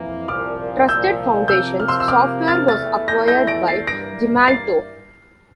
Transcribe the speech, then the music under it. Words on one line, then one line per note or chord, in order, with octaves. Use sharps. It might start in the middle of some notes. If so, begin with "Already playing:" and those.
Trusted Foundations Software was acquired by Gemalto.
Already playing: F2 E3 A#3
C2 A#2 F3 D6 F6
E6 G6
C3 F3 A#3 E6 G6
F6
C6 E6
E6
D6 F6
F6 A6
E2 E3 A3 F6 A6
G6 A#6
G6 A#6
A#6 D7
A6 C7
G2 E3 A#3 A#6 D7
A6 C7